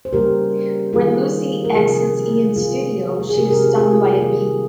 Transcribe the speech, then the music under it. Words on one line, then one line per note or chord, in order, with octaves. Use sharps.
When Lucy exits Ian's studio, she is stung by a bee.
C5
C#3 G3 A#3 G4 A#4
D#3 G3 A#3 F4 G#4
A#4
C3 F3 A#3 F4 G#4
C#3 F3 G#3 F4 G#4
G4
G#4
C3 F3 G#3 G4 A#4
G4 A#4
F4 G#4
F4 G#4
G4 A#4
F4 G#4
D#3 G3 A#3